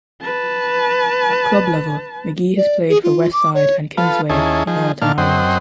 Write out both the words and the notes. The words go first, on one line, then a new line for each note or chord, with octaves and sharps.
At club level Magee has played for Westside and Kingsway in Northern Ireland.
B4 A5
D5
G#4
F4
D6
C#5
F4 A4 B4 F5
D#2 C#4 E4 G#4 D#5 A5
F3 D#4 G#4
A#2 D#3 D4 F5 A5 F6
F#2 C4 D#5 F#5 G5 C6